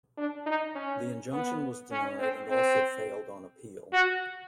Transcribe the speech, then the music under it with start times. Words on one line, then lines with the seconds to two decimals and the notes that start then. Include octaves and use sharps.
The injunction was denied and also failed on appeal.
0.17 D4
0.46 D#4
0.75 C#4
1.33 B3
1.91 C#4
2.19 C4
2.48 C4
3.93 F#4